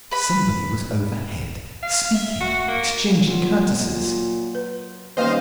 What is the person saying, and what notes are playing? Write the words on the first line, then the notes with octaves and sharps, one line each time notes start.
Somebody was overhead, speaking,--exchanging courtesies.
B4 B5
F5
E5
F#4
A#3
A#2 F#3 F4
B4
D#3 G3 A#3 C#4 B4 C5 D#5 F5